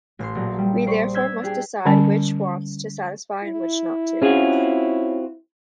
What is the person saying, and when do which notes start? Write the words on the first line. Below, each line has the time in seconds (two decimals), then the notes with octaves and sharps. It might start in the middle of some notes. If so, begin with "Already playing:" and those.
We therefore must decide which wants to satisfy and which not to.
0.19 A1 C6
0.35 A#1 F#3
0.58 G3
0.87 C5 D5 C6 C#6
1.14 E6 G6 G#6 B6
1.43 D4 G4 G#4
1.85 D3 G3 C#4 A5
3.44 E4
4.22 C4 C#4 F4 F#4 G#4